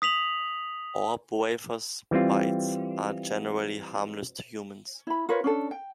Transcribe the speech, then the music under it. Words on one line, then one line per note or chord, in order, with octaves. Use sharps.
Orb-weavers' bites are generally harmless to humans.
D#6 B6 F7 F#7
E3 G3 C4 F4
E4 B5
F4 A#4 B4 C#5
C#4 D4 A4
G5